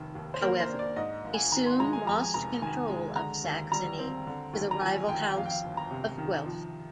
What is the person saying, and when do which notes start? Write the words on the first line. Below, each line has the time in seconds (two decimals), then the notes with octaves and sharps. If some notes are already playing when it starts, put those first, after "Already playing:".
However, he soon lost control of Saxony to the rival House of Guelph.
Already playing: F1 D#3
0.15 D#2
0.34 C5
0.41 A#3 A#4
0.60 C5
0.69 D4
0.79 D5
0.96 G#2 D#5
1.24 G#1
1.34 G#5
1.52 D#3 A#5
1.66 C6
1.80 G#3 A#5
1.93 G#5
2.07 F2 A#5
2.22 G#5
2.34 F1 A#5
2.62 D#3 G#5
2.89 G#3
3.16 D3 A#5
3.44 D#2
3.72 G3 A#5
3.99 C4
4.27 D3
4.53 D#2
4.71 A#5
4.81 F3 G#5
5.09 D#2 G5
5.29 G5
5.37 F2 F5
5.46 G5
5.50 F5
5.64 G1
5.77 A#5
5.91 C3
6.18 D#3
6.46 F3